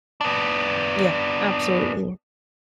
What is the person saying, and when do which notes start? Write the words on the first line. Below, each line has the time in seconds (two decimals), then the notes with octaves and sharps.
Yeah. Absolutely.
0.21 B3 D4